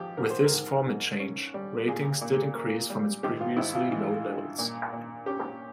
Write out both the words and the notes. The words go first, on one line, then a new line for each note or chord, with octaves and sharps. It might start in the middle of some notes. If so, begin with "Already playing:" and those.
With this format change, ratings did increase from its previously low levels.
Already playing: G#1 F3 G4
G#2 A#4
C5
A#4
G#2
G#2
C#4
G3
A#2 G#4
A#2
A#3
G3
G#1 G4
F4
G#1 E4
F4
E3
G2
A#2
A#2
C#4 G4